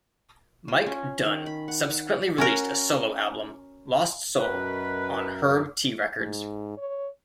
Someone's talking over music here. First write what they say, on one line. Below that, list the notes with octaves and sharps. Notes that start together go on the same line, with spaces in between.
Mike Dunne subsequently released a solo album, "Lost Soul", on Herb Tea Records.
F4
C#4
D#3
B5
F#5
C#4 F#4 A#4
F#2 B2 A#4 B4
G#2
C#5